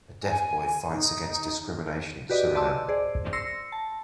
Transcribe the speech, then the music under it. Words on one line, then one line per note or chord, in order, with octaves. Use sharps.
A deaf boy fights against discrimination in Suriname.
G#5
D#4
F#4 G4 B4 D5 D#5
D5 D#5 A5 C6 D6 E6
G#4 C5 D5
C6 E6 A#6 C7 C#7
A5